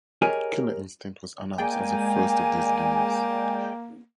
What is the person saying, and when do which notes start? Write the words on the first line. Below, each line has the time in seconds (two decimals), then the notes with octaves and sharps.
"Killer Instinct" was announced as the first of these games.
0.22 G4 G#4 A#4 C#5 D#5 G#5
1.58 G#3 A#3 D5 G5 G#5